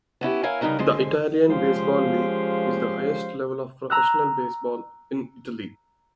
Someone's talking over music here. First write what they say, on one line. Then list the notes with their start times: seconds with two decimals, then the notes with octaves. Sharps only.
The Italian Baseball League is the highest level of professional baseball in Italy.
0.21 B3 C#4 E4 G4
0.43 E4 A#4 C#5 F5 G#5
0.61 C#3 G3 A3 D#4 A#4 B4
0.79 D3 G#3 C5
1.49 F3 G#3 C#4 G4 C5 F5
3.90 A#5 E6 F#6